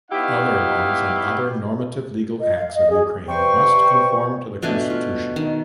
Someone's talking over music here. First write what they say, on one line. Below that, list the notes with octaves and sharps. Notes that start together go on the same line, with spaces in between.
Other laws and other normative legal acts of Ukraine must conform to the constitution.
B3 D#4 E4 G4 C#5 F5
D#5
F5
D#5
G#4
C3 G3 B4 C5 G5 C#6
B2 A3 D4 G#5
F4
D#3